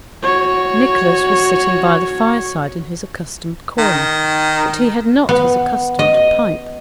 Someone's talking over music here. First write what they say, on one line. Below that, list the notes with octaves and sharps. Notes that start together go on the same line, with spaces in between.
Nicholas was sitting by the fire-side in his accustomed corner: but he had not his accustomed pipe.
F#4 C#5
D#3
B3
D#5